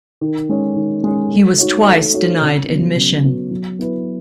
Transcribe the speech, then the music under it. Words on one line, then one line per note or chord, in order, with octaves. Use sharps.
He was twice denied admission.
D#3
G#3 C#4
D#3
G#3 C#4
A3
D#4 F#4 C#5
A3
D#4 F#4 C#5
C#3
F#3 B3
C#3
F#3 B3
F#3
B3 E4 B4